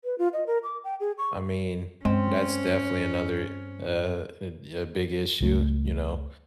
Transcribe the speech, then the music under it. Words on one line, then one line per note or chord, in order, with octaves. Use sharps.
I mean, that's definitely another, uh, a a big issue, you know,
B4
F4
D#5
A#4
D6
G5
G#4
C#6
G2 G#3 C4 C#4
C#2 G3 A3